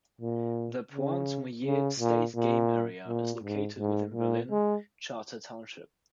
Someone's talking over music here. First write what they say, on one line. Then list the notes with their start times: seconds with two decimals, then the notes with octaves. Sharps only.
The Pointe Mouillee State Game Area is located within Berlin Charter Township.
0.21 A#2
0.92 C#3
1.65 C#3
2.00 A#2
2.35 A#2
3.08 A#2
3.43 G#2
3.79 G#2
4.14 A#2
4.50 G#3